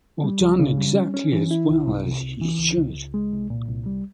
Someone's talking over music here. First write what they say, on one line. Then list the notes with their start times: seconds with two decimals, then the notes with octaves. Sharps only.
Or done exactly as well as he should.
0.24 G3
0.41 C#2
0.59 C#3
0.78 G3
0.95 C#4
1.14 C#4
1.33 E3
1.51 E4
1.69 C2
1.87 C2
2.05 C3
2.23 C2
2.41 E3
2.59 C#2
2.77 C#2
2.96 C#2
3.14 G#3
3.33 C2
3.50 A#2
3.68 C2
3.86 G3